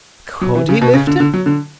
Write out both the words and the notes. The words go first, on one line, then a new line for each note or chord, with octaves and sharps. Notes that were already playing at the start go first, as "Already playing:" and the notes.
Could he lift him?
F#3
E3
C#3
B2
C#3
D3
D3
F#3
D3